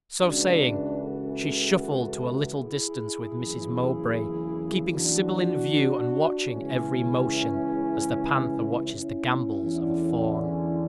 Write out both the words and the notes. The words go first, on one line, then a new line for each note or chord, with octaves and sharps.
So saying, she shuffled to a little distance with Mrs. Mowbray, keeping Sybil in view, and watching every motion, as the panther watches the gambols of a fawn.
C#2 C#3 E3 D4 F#4
F#4 A4
E4 G#4
F#1 E2 C#3 E3
D4 F#4
C#2 C#3 E3 C#4 E4
C#4 E4
E2 D3
C#4 E4